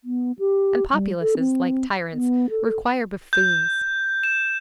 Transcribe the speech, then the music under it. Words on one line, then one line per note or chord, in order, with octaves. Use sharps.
And populaces, like tyrants, require buffoons.
B3
G4
G3
A4
C4
B3
A4
G6
E7